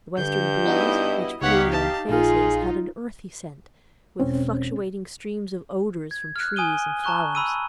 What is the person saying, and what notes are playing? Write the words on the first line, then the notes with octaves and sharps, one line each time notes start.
The western breeze, which blew in our faces, had an earthy scent, with fluctuating streams of odors from trees and flowers.
G2 D3 G6
B3 D#4 E4 F#4 D#5
C#2 B3 D#4 G4 C#5 F5 F#5 B6
A5
A#1 D#4 F4 G#4 F5
E1 C4 C#4
G#6
F6 F#6
G#5 D#6 D#7 G7
A5 A#5 C#6 F#6 G7
B5 E6 D#7